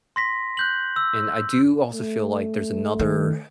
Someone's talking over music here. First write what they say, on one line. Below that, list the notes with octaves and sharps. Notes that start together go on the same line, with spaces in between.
and, I do also feel like there's another
C6 A#6 B6
F#6 G6 F#7
E6
A3
D#3